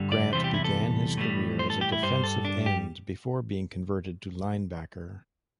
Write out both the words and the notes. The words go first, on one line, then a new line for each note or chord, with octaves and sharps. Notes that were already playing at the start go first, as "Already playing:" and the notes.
Grant began his career as a defensive end before being converted to linebacker.
Already playing: G2 D3 G3
D5
E2 C3 E3 G3 C5
G4
E4
A4
A2 E3 G3
C5
A4
G4
E4
G2 G3 C5
A4
D4
G4